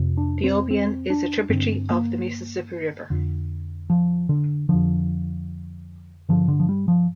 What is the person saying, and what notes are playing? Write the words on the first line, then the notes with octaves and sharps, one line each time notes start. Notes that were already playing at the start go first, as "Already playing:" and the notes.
The Obion is a tributary of the Mississippi River.
Already playing: F2 C3
D4
C4
C4
D4
G2 D3 C4
A#3
F2 D3
F3
D3
F2 D3 F3
G2 D3 F3
D3
F3
G3
F3